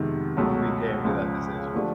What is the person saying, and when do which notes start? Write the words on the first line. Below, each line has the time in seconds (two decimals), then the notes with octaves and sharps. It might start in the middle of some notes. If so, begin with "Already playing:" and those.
we came to that decision.
Already playing: F2 C3 D#3 G#3 B3
0.37 C#2 B2 F#3 A3
1.05 C#2 C#3 F3 G#3
1.74 D3 F3 A3 D4 G4